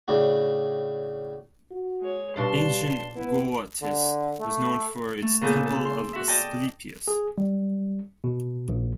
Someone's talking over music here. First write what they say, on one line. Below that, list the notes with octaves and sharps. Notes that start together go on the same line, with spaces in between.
Ancient Gortys was known for its Temple of Asclepius.
A2 C#3 D4 F#4
F#4
G#3 C#5
B2 G3 D4 F5 A5 C6
B3 E4 B4
D3
A3
A3
A#2 C#3 B3 G#4 A4 G6
A4
C6
F#4 E5
D5 D#5 G5 A5
G#4
G3
B2
A#1